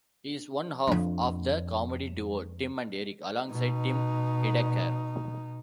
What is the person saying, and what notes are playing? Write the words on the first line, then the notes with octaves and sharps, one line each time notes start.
He is one half of the comedy duo Tim and Eric, alongside Tim Heidecker.
F2 D4
B2 D#4